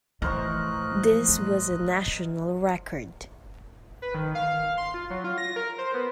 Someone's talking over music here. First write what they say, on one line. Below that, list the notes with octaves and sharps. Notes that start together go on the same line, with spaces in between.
This was a national record.
A2 E3 F3 A#4 C5 D#5 C#6 F#6
B4
D#3
F5
C6
F4
F#3
F4
A#6
A#4
C5
B3